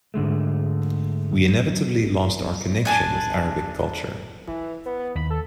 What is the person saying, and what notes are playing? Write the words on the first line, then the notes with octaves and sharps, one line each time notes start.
We inevitably lost our connection with Arabic culture.
G#2 D3 G#3 A3
D4 G#5 A5
E3
B3
B3
D#2 B5
A4